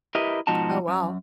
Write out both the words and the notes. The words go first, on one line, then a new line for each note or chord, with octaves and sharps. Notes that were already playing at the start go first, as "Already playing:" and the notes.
Oh wow.
E4 G4 A#4 B4 D#5 E5
G#2 B2 F3 D#4 F#4 A5
F#2